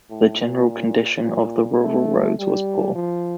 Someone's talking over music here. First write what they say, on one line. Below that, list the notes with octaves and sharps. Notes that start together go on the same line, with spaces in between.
The general condition of the rural roads was poor.
A2
A#2
A#2
A3
G3
F3